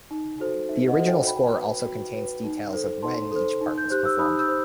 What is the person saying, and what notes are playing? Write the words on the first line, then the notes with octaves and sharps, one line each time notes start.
The original score also contains details of when each part was performed.
D#4
F#4 A4 C5
D#4 E5
D#5 F#5
F#4 A4 C5
E5 G5
F#4 G5 B5
B4
F#4
B4
D#4
A4 C5
D#4 A5 C6
A4 C5
D#4
G6
G4 C5 F#6
E6
D#4 B5 D#6
E6 G6
C5